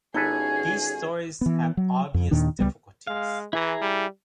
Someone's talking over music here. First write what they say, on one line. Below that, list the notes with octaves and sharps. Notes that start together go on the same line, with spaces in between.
These stories have obvious difficulties.
G1 C#4 D#4 F#4 G#4 A4 B4 G#6
E3 B3
F#3
F2
D#2 A#2 D#3 D4
C#2 G#2 G3 B3
G#3 F5
E3 E4 G#4 A#5
G3